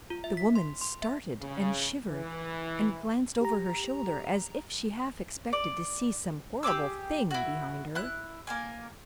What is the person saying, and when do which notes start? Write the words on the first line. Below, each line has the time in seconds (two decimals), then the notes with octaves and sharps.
The woman started and shivered, and glanced over her shoulder as if she half expected to see some horrible thing behind her.
0.10 F4
0.24 E5
0.37 B6
0.56 C6
0.81 C6
1.02 E5
1.41 C#3
2.09 E3
3.41 G4 A#5
5.53 D5
6.63 G4 G#4 D6 E6
7.31 E4 F#4
7.95 E4 F#6
8.47 A#3 A#4 G#5